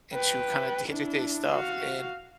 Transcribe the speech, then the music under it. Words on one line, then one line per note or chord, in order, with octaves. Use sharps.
into kind of day-to day stuff, and
B4 G5
D4 E4
F#4 F5